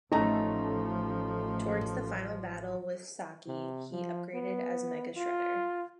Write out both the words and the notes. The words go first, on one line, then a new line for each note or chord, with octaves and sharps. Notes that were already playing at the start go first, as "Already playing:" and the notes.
Towards the final battle with Saki, he is upgraded as Mega Shredder.
A1 F3 A3 C#4 D#4 A#5
C3
F3
B3
F4